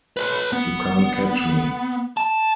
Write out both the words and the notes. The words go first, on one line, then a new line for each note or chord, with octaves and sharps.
You can't catch me.
B4 C#5
B3
A5